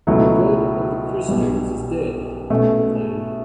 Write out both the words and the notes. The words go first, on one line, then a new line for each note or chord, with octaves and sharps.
"The God of the Christians is dead," he proclaimed.
C#2 B2 F#3 A3 E4
B1 B2 G3
B2 A3 C#4